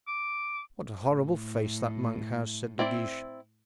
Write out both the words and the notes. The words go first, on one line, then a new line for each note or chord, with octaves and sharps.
"What a horrible face that monk has," said De Guiche.
D6
A2
C4 E4 D5